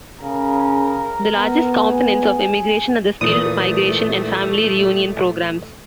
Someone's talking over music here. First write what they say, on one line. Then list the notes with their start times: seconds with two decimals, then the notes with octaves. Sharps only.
The largest components of immigration are the skilled migration and family re-union programs.
0.22 C#3 A#4
1.36 B3
1.75 G#4
3.21 A#2 E3 A3 D#6